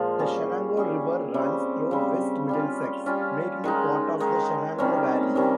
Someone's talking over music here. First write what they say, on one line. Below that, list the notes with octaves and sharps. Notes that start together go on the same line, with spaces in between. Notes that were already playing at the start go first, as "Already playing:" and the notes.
The Shenango River runs through West Middlesex, making it part of the Shenango Valley.
Already playing: A#2 F3 G#3
G3 C#4 G#4
G3 C#4 G#4
C#3 G3 C4
C#3 G3 C4
G3 C#4 F4
G3 C#4 F4
D#3 G#3 D#4
D#3 G#3 D#4
C3 D#3 G3 C#4
C3 D#3 G3 C#4